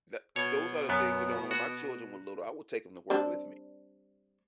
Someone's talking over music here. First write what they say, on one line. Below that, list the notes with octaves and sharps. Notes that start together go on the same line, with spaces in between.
tha those are the things that you know, when my children were little, I would take 'em to work with me,
B2 C#5
F#2 B3
F#4
G3 C4 D4